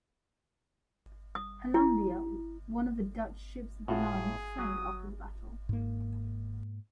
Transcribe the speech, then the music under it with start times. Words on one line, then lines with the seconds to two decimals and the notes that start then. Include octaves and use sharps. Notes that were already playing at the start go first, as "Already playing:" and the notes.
"Hollandia", one of the Dutch ships-of-the-line, sank after the battle.
1.35 D#6
1.74 E4
3.88 A2 F4 F#4 G#4
4.59 F#3 D#6
5.69 G#2 A#3